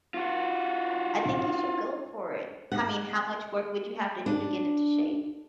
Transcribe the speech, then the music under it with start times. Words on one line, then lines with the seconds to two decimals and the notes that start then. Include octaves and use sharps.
I think you should go for it. I mean, how much work would you have to do to get into shape?
0.14 F4 F#4
2.72 F#5
4.26 D4